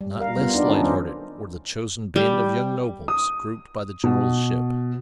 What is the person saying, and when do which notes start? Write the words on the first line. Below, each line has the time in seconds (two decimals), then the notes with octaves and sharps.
Not less light hearted were the chosen band of young nobles grouped by the general's ship.
0.01 G3
0.20 A#4 F5
0.36 G3 B3 F4
0.55 D4 D#4 B4 D5
0.68 D#3 C#4 D#4 F4 A4
0.82 G3 C5
2.16 G3
3.08 D#6
4.04 B2